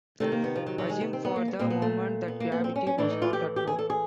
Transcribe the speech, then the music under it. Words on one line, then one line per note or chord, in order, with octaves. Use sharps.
Assume for the moment that gravity was not at work.
C3 D#3 A3
A#3
B3
F3
F#3
F#3
G#3
B3
C4
B3
A#3
B3
A#2 C4
B3
A3
B3
A#3
B3
C4
C#4
C#4
A2 E3 D4
D#4
F4
G4
G4
G#4
A4
G#4